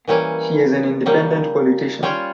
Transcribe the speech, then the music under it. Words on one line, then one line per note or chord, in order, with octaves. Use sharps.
She is an Independent politician.
E3 G3 A#3 C#4
C#3 G3 A#3
G3 C#4 F4 C#5